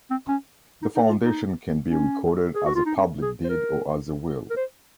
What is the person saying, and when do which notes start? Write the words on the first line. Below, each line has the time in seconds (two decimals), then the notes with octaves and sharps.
The foundation can be recorded as a public deed or as a will.
0.11 C4
0.28 C#4
0.82 D#4
0.96 D#4
1.09 F4
1.22 D#4
1.89 C#4
2.55 G#4
2.65 F#4
2.75 F4
2.86 D#4
2.96 C#4
3.22 G#4
3.44 C5
3.49 A#4
4.50 A#4
4.56 C5